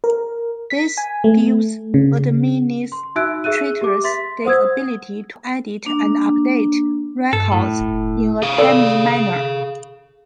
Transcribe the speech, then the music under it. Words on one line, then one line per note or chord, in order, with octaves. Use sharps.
This gives administrators the ability to edit and update records in a timely manner.
A#4
B6
G#5
A3
C#3
C6
D#4 F#4 E5 E6 F#6 D7
G#4 E5 E6 F#6 D#7
G4 D6
E5 C6 A6 B6
C5 F#5 D#6 E6 G#6
A#3 D4
G2 A4
A2
E1
G#4 F5
A4 D5